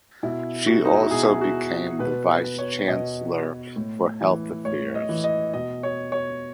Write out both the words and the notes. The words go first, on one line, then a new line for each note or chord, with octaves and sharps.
She also became the vice chancellor for health affairs.
B2 E4
F#4
D#4
E4
F#4
B2 G#4
F#4
B2 B4
B4
C#5
B2 D#5
A2
E3
A2 C#5
D#5
E3
D#5
B2 D#5
C#5
C#5